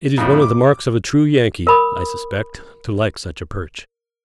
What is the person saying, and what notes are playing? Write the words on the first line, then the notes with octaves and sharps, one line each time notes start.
It is one of the marks of a true Yankee, I suspect, to like such a perch.
F2 A2
D6
A#4 B5 D#6